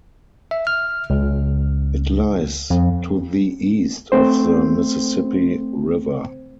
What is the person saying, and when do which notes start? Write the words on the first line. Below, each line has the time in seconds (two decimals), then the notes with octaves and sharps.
It lies to the east of the Mississippi River.
0.51 E5
0.67 F6
1.10 C#2
2.70 F2
4.12 A3 C4 C5